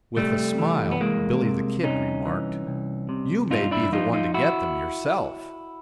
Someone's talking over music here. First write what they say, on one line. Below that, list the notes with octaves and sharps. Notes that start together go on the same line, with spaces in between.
With a smile, "Billy the Kid" remarked: "You may be the one to get them yourself."
C2 G3 A3
E3
B3
C2 G#3 A#3
C3
C2 C#4 D#4
E3
C2
C3
G2 D#4 F4
D4 E4
F3 D#4 F4
D#4 F4
E4 F#4